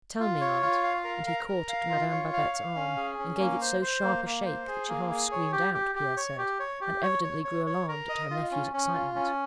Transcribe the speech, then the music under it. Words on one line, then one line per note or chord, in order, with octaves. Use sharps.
Tell me, aunt,' and he caught at Madame Babette's arm, and gave it so sharp a shake, that she half screamed out, Pierre said, and evidently grew alarmed at her nephew's excitement.
F4
C#5
F4
F5
A#4
A#4
A#4
F5
F4
C#5
F5
F5
C#4
G#4
C#4
A#3
C5
C5
A#3
A#3
C5
G#4
A#3
G#4
C#5
G4
G4
G4
C#5
G4
C#5
G4
C#5
C#5
C#5
C#5
A#4
D#5
F4
C#4
C#4
F4
C#4